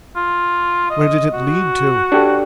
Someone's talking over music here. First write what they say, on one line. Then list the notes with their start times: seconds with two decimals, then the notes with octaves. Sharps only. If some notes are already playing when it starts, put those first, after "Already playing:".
Where did it lead to?
0.16 F4
0.90 D#5
1.34 F#4
2.12 D4 G4 A4